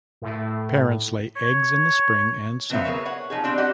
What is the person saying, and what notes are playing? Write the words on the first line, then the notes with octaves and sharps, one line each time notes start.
Parents lay eggs in the spring and summer.
A2
C#5
C#3 F#3 B3 C4 E5 F5
G#4 A#4 B4 C#5 E5
C#5 F#5
F3 D#4 G#4
G3 C4 D4
G3 G4 D#5 F#5